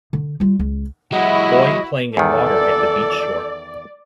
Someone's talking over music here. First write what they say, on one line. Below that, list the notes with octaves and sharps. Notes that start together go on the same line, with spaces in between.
Boy playing in water at the beach shore.
D3
G3 F4
C#2
F#3 G#3 E4 F#4 D#5 F#5
E2 D#3 A4 D5